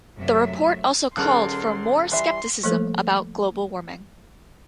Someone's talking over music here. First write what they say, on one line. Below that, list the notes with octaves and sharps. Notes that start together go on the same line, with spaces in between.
The report also called for more scepticism about global warming.
F#2 C3 F#3 A3 E5
D#1 C#4 G#4 A4 C6 F6 F#6
E3 G3 E5 C6
F3 G3 A3 A#3 A4 C5